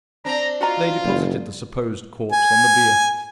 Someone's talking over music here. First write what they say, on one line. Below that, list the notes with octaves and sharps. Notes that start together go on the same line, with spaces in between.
They deposited the supposed corpse on the bier.
C4 D4 A#5
F4 F#4 D#5 A#5
F#1 A#2
G#5